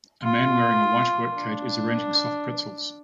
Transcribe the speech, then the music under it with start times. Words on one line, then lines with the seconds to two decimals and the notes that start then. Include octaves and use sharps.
A man wearing a white work coat is arranging soft pretzels.
0.23 F4
1.34 D4